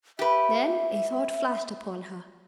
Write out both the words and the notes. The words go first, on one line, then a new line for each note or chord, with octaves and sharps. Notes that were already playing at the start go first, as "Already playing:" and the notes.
Then a thought flashed upon her.
G4 B4 E5